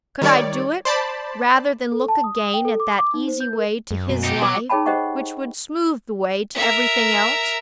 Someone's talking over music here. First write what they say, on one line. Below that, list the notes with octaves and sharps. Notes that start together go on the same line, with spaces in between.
Could I do it, rather than look again at that easy way to his life which would smooth the way to everything else?
D#3 G3 C#5 D5
C5 D5 A5 B5
A4
A5
D#6
D#6
G5
A4
D6
D6
D#4
C5
G6
A#4
F#2
B2
D#4 G4
F#3 D6
D#4 G#4 C#5 G5 A5 B5
G4 C5 D#5 F#5 G5 C#6
A#4 E5